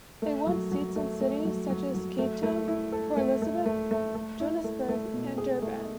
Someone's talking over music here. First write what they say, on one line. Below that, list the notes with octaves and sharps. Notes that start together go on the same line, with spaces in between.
It won seats in cities such as Cape Town, Port Elizabeth, Johannesburg and Durban.
A3
F#3
F#3
A3
A3
F#3
F#3
F#3
A3
A3
E4
A4
A3
A3
A3
A3
A3
E4
A3
A3
B2
G#4
A3